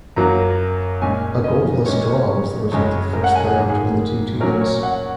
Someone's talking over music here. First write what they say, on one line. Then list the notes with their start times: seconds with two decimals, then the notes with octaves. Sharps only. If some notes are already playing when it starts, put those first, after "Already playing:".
A goalless draw was the result of the first leg between the two teams.
0.16 F#2 F#3 A#3 A#5
1.02 A#2 G#3 C#4 G#5
1.44 D#5
1.86 A#2 G#3 C#4 C#5
2.71 F#2 C#3 G#3 C#4 C#5
3.13 A#4
3.24 F#5
3.35 G#5
3.45 G#4
3.56 G#2 D#3 A#3 G#4
3.70 G#4
4.40 A#2 F#3 C#4 A#4
4.61 C#5
4.83 F#5